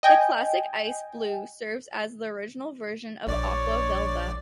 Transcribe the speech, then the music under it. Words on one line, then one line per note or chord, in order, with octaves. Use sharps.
The classic ice blue serves as the original version of Aqua Velva.
D#5 G5 G#5
A#1 C#5 D5 D6